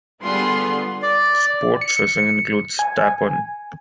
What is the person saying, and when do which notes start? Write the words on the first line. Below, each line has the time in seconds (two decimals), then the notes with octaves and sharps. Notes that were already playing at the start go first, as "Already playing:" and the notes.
Sport fishing includes tarpon.
0.20 D3 G3 B3 F4 G#4 C6
1.02 D5
1.81 C#7
2.79 G#5